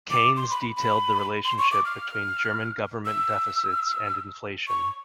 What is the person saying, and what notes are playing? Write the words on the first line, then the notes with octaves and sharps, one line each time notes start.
Keynes detailed the relationship between German government deficits and inflation.
D6
C6
B5
B5
C6
C#6
D6
F6
E6
C#6